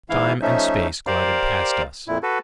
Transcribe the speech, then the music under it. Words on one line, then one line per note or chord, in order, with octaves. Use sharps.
Time and space glided past us.
G#2 E3 E4 F5
F3 A3 C#4 D#4 E5
G4 A#4 C5 D5 F5
F2 A#2 E4
F#4 A4 B4